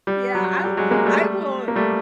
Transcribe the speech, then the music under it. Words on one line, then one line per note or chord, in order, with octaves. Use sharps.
Yeah, I will I will
G3
F#3
G3
F#3 G#3
G#3 A#3
G3 A3
A#3
G3 A3